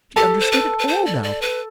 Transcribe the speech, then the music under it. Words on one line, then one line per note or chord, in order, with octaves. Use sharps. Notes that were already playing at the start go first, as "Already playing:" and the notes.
She understood it all now.
G4 A4
C5
B4
B4
C5
D5
D5
B4